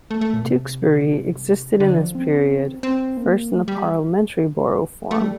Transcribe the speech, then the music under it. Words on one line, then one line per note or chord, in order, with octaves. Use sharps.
Tewkesbury existed in this period, first in the parliamentary borough form.
A3
A3
A#2
C3
D#3
D3
F3
C4
C4
A#3
A3
G3
A3
G3